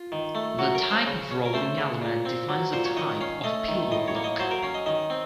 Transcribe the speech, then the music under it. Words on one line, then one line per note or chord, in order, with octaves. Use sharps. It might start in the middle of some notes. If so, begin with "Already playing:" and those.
The type of rolling element defines the type of pillow block.
Already playing: F4
D#3
A3
F#3 F#4
A#4
C#4
C5
C#3
C#4
A#4
A3 C5
C#3
A#2
C4
F#3
A#2 C5
C#5
D#3 D#5
C#4 F5
A3 D#5
D#3
A2 D#5
C#5
A#3
D#5
F#3 C5
A#4
C#4 F5
D#5
D#3 D#5
C4